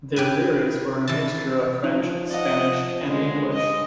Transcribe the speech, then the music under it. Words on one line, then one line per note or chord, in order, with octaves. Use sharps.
Their lyrics were mixture of French, Spanish and English.
G4 B4 G#5
E3 A5
F3 D#4
D5 D#5 F5 F#5
D3 G#3
G2 D#5